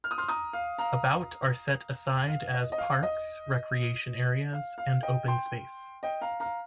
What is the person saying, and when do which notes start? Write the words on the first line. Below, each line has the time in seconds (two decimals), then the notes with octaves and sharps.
About are set aside as parks, recreation areas, and open space.
0.04 F6
0.11 D#6
0.18 C6 F6
0.28 A#5 D#6
0.53 F5
0.78 F5 A#5
2.28 F5
2.54 D#5
2.72 D#5
2.78 F5
3.03 D#5
4.53 F5
4.78 F5
5.03 D#5 G5
5.28 G5 C6
6.03 D#5 G5
6.21 F5 A#5
6.40 F5 A#5